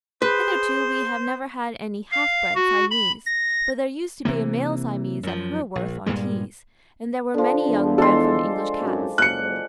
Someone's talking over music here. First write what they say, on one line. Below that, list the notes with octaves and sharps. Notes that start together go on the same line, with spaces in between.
Hitherto we have never had any half-bred Siamese; but there used to be a male Siamese at Hurworth-on-Tees, and there were many young bred from English cats.
G#4 B4 C5
F5
F#4
B5
A#6
C3 E3 A#3
F#2 F3
A#1
G2 A#2 G3 G#3
D3 F3
E2
F3 G#3 D4 A4 C6
G#1 F#2
F#1 F#6 C#7